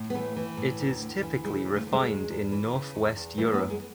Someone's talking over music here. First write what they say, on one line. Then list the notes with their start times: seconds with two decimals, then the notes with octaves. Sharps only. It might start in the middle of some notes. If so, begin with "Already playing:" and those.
It is typically refined in Northwest Europe.
Already playing: A2
0.10 B3
0.15 E3 A3
0.36 E3
0.57 A2
0.79 D2
1.01 D2
1.23 E3
1.44 C#3 G#3
1.66 D2
1.76 A3
1.87 D2
1.92 G#3
2.09 E2
2.30 E2
2.52 E3
2.74 C#3
2.94 E2
3.16 E2
3.38 E3 A3
3.54 B3
3.59 F#2
3.70 G#3